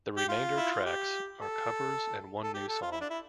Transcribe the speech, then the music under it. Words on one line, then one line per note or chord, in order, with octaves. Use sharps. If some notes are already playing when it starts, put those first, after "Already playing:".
The remainder tracks are covers and one new song.
G4
F4
E4
F4
G4
A4
A4
G4
A4
F4
E4
D4
E4